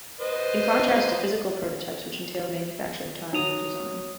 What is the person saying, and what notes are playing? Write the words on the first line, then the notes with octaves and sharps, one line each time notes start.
In contrast to physical prototypes, which entail manufacturing time in the design.
B4 C5 D#5
F#3 D#4 D#6 F7